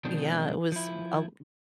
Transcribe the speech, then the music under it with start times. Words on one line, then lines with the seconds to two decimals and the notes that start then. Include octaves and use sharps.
Yeah, it was a l
0.05 B2 D#3 F3 G#3 C4 D4
0.72 F3 E4